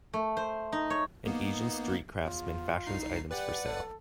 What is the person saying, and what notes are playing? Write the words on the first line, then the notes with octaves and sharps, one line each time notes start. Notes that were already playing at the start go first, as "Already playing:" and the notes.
An asian street craftsman fashions items for sale.
A3
C5
D#4
C#5
A#3 B3 D#4
E2 F4
C2 D#4 C7
G4 B4 D5 F#5
A4